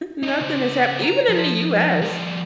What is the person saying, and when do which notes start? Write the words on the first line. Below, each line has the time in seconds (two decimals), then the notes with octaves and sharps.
Nothing has happ even in the US,
0.23 D4 D#4
0.40 C#3 C5
1.03 A#5
1.29 F3
2.01 F3 G3